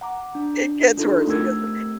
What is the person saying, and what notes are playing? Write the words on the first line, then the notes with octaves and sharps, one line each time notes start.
It gets worse, It gets wor
F#5 A#5 D6
D4
D4 D#4 F4 A4
A3 C4 G4 A#4 E6 G#6